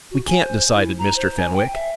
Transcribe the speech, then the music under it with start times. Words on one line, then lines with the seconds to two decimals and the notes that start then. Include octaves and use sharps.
"We can't," decided Mr. Fenwick.
0.11 F#4
0.26 G#5
0.43 C5
0.75 E4
0.99 A#5
1.16 C5
1.38 G#5
1.53 G5
1.73 E5